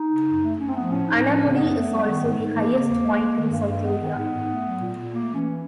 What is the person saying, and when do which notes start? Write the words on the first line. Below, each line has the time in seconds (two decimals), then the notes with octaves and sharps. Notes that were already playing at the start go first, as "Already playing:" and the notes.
Anamudi is also the highest point in South India.
Already playing: D#4
0.10 C#3
0.26 F#2
0.42 A3
0.58 A3 C#4
0.67 C4
0.75 F3 B3
0.91 A2 C#4
1.07 A2 D#4
1.23 F3 C#4
1.39 C#3
1.55 F#2 B3
1.73 A3
1.88 G3
2.04 D#3
2.21 G#2
2.37 G#2
2.52 E3 A#3
2.70 C#3
2.86 E2
3.02 G#3
3.18 G#3
3.35 D#3
3.50 G2
3.67 G2
3.82 G#3 B3
3.99 D#3
4.16 G#2
4.32 G#2
4.48 A3
4.64 F#3
4.80 A#2
4.97 A#2
5.12 A3 A#3
5.29 E3
5.34 C#4